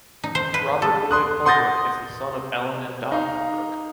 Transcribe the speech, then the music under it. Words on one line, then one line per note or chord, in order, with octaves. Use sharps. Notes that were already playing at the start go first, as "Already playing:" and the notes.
Robert Boyd Holbrook is the son of Ellen and Don Holbrook.
D#4
C5
B4
A4
C6 D#6 F#6
F#5 C6 D#6 G6 A6 A#6
D#4 F5